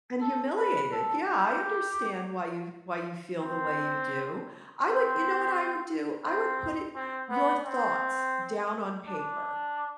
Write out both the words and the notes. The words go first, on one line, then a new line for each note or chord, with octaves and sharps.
and humiliated, yeah, I understand why you why you feel the way you do. I would you know what I would do? I would put it your thoughts down on paper.
A4
B4
A4
G4
C4
C4
C4
C4
B3
C4
D4